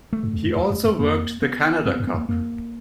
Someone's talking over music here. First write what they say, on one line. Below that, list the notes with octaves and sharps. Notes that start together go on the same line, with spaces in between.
He also worked the Canada Cup.
A3
G2
E2
F2
E2
F2
F2
F2 A#3
B3
F#2 C4
B3
F#2
B3
E2
A#3
F2 A#3